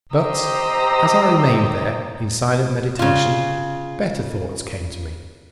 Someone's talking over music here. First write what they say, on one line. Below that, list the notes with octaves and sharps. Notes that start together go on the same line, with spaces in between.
But as I remained there in silent meditation, better thoughts came to me.
G4 C5 D#5 A#5 E6
C#3 F4